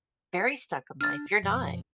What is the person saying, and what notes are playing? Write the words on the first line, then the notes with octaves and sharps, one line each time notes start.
very stuck in life. You're not.
D4 F6 A6
F#2 B2 F3